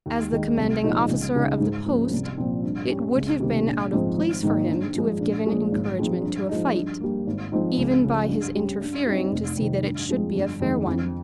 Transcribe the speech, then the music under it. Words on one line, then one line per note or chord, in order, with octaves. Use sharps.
As the commanding officer of the post, it would have been out of place for him to have given encouragement to a fight--even by his interfering to see that it should be a fair one.
D#2
D#3 G#3 D#4
C2
A#2 F3 G#3 D#4
C#2
C#3 G#3 D#4
G#2
F3 A#3 C#4
C2
A#2 F3 C4
G2
G3 C#4
C#2
C3 D#3 G3 A#3
A#1
G#2 F3 C4 D#4
G#1
G#2 D#3 A#3 D#4
G2
F3 G#3
A#1
A#2 F3 G#3
G#1
G#2 F3 G#3 C4
G2
F3 G#3 D#4
G2
G3 A#3
G#1
G#2 F3 C4 D#4
C#2
C#3 F3
G2
G3 C#4
G2
G3 C4 D#4
F1
F2 C3 D#3
G2
F3 G#3 C4
G1
F2 D#3 G#3
F2